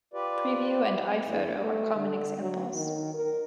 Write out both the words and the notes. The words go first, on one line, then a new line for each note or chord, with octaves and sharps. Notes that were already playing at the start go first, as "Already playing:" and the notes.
Preview and iPhoto are common examples.
F4 G4 B4 D5
E2
A3
D3
F#3
D#3
A#4